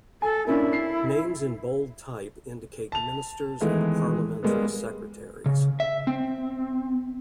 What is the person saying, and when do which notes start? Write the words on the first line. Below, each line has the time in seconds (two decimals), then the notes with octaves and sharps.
Names in bold type indicate Ministers and Parliamentary Secretaries.
0.22 A4 G#5
0.47 A#3 C#4 D4 E4
0.73 C7
2.92 A5 F7
3.60 D#3 E3 G#3 A3 B3
4.43 G3 G#3 A#3 B3
5.46 C#3
5.80 E5
6.07 C4